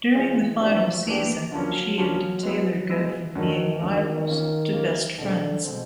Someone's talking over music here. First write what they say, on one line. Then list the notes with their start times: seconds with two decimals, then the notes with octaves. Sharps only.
During the final season, she and Taylor go from being rivals to best friends.
0.15 E3 G#3 C4 F4 G#4 C5
0.60 E3 F3 A3 D4 G4
1.07 E3 A3 D4 G4
1.52 D3 F3 F#3 A#3 C#4
1.98 D3 F3 A#3 C#4
2.43 G#3 B3 E4
2.90 G#3 B3 E4
3.35 F#2 D3 D#3 F#3 A3
3.81 F#2 D3 D#3 F#3 A3
4.27 A#3 C#4 F4
4.73 A#3 C#4 F4
5.18 B2 D3 G#3 C4
5.64 B2 G#3 C4